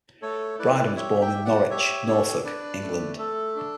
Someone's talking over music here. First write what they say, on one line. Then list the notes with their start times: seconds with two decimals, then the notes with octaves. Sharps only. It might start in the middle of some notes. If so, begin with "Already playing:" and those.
Bryden was born in Norwich, Norfolk, England.
0.22 A3 A4 C#5
0.59 E4 B4 D5
0.96 G4 C#5 E5
1.21 E5 G5
1.34 G4
1.45 D5 F#5
1.70 G4 C#5 E5
2.07 D4 A4 C#5
2.45 D4 B4 D5
2.82 A3
3.18 A3 A4
3.56 D4